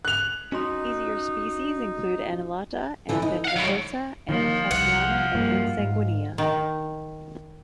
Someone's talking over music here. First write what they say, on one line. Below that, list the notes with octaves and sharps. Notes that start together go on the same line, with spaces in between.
Easier species include "N. alata", "N. ventricosa", "N. khasiana", and "N. sanguinea".
F#6 F7
C#4 D#4 F#4 C6
D3 E3
D#4
F5 F#5
A2 F#3
D#3 F3 A#3
C2 F#5
G2 A#3
G#2
D#3